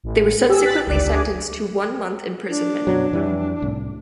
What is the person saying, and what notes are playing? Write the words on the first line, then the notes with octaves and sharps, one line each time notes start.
They were subsequently sentenced to one month imprisonment.
A1
G4 G#4 E6
F#6 A6 B6
G1 C#2 D5
D2 D4 G#4
D4
F#2 B2 F#3
F2 E3 G3
C2 A2